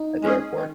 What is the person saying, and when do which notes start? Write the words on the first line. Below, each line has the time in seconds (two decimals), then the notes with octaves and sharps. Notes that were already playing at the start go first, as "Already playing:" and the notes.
at the airport,
Already playing: D#4
0.22 G#3 C#4 G#4
0.54 D#3